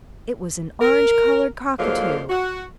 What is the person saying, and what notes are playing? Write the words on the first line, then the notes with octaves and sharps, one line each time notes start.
It was an orange-coloured cockatoo.
A#4
G#2 D3 F3 F#3 A#3
F#4